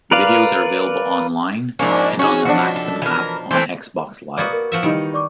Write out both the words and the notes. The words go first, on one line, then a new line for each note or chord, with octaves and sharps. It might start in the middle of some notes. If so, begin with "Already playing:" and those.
The videos are available online and on the Maxim app on Xbox Live.
A#4 B4 D5 F5
G#2 F3 A#3 C#4 D4
C#4 D#4 F#4 G#4
B2 F3 D4 F#4
A4
E3 A#4
E3 A3 C4 C5
A#3 B3 F#4 D5 D#6
A#4
F3 F#4 E5
D#3 E3 G3 D#4 C#7
D5 C#6 D6